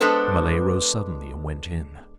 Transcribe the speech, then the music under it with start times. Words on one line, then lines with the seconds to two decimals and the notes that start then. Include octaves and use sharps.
The Malay rose suddenly and went in.
0.01 G#3 B3 D4 A4 B4 C5